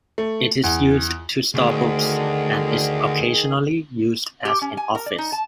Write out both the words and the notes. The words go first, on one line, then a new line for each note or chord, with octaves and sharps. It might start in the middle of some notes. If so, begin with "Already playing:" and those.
It is used to store books, and is occasionally used as an office.
A3
E2
D2 D#3 G#4
G4
C#4
G#5
A#4
D5
D#4
A5